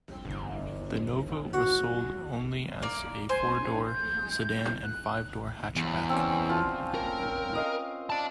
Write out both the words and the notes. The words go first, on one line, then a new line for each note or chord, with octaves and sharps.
The Nova was sold only as a four-door sedan and five-door hatchback.
G1
F#4
A#3 D5
C5 G#5
G#5
G6
F#6
E2
C4 C#4 D5
F3 F4
A#4
D#5 F5
D5 A5